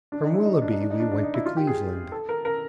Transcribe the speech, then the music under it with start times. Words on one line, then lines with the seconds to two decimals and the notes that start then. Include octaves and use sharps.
From Willoughby we went to Cleveland.
0.12 D4
0.23 D#4
0.34 E4
0.46 D#4
0.62 D4
0.72 D#4
0.81 D4
0.90 D#4
1.00 D4
1.12 D4
1.23 D#4
1.34 E4
1.46 F4
1.57 G4
1.67 G#4
2.12 A4
2.29 A#4
2.45 A#4